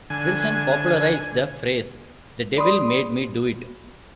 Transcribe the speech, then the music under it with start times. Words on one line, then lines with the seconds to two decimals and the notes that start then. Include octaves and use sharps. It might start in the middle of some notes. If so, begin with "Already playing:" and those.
Wilson popularized the phrase The devil made me do it.
0.10 D3 G#5
2.57 D5 B5 C6 D#6